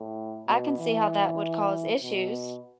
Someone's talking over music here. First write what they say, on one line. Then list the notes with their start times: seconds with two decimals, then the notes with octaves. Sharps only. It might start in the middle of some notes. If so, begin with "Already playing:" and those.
I can see how that would cause issues.
Already playing: A2
0.48 B2
0.79 E3
2.03 B2